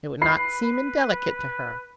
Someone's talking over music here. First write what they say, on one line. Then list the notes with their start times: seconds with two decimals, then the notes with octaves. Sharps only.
It would not seem indelicate to her.
0.22 B4 B5 C7